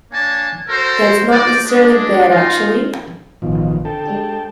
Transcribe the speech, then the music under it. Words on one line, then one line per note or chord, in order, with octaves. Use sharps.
That's not necessarily bad, actually.
A#3 D4 C#5 G#5 A5
F#4 A4 A#4 C5
D#4 C5 D5
G#3 D4
D#4 F4
A1 B2 D#3 F3
D3 A4 G5 A5
G#3 D4 G4